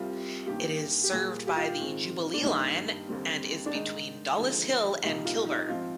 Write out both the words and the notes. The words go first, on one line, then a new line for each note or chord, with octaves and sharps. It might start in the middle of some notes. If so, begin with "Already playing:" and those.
It is served by the Jubilee line and is between Dollis Hill and Kilburn.
Already playing: C2 C3 G3 C4 F4
G2 D#3 A#3 G4
G4
A#2 G3 A#3 G#4
G4
F4
G#2 D#3 G#3 C4
D4
G2 D#3 G3 A#3 D#4
D#2 D3 G3 C4
D4
G#2 D#3 G#3 D#4
D#2 D3 F3 G#3
C2 A#2 G3 A#3 D#4
F4
D#4
G#2 F3 C4 F4